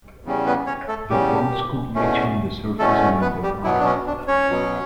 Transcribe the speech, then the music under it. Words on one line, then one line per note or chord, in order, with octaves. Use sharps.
The boats could reach on the surface and underwater.
E2 C#3 G3 C#4
B3 B4
C#4 C#5
A3 A4
E2 C#3 G3 C#4 G4
E2 B2 A3 C#4
E2 B2 A3 C#4 A4
B3 B4
G3 G4
B2 E3 F#3 B3 E4
D4
C#4
D4
C#4 C#5
B2 F#3 B3